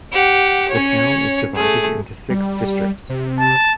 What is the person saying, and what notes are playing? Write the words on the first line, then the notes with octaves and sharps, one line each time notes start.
The town is divided into six districts.
G4 F#5
C#4 C#5
A3 G#4
G3
C3
A5